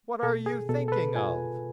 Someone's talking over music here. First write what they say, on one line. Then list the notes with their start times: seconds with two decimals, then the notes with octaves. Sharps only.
'What are you thinking of?'
0.23 B2 A4
0.46 G#4
0.69 B2 A4
0.88 A4
0.92 B4
1.15 F4 G#5